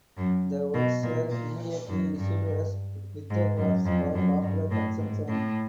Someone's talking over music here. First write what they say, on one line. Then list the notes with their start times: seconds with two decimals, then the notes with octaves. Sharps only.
The works were immediately issued as lithographs for popular consumption.
0.17 F#2
0.74 B2
1.02 A#2
1.31 A#2
1.88 F#2
2.15 G2
3.29 G#2
3.57 F#2
3.86 F2
4.13 F#2
4.42 G2
4.70 A2
4.98 G#2
5.27 A2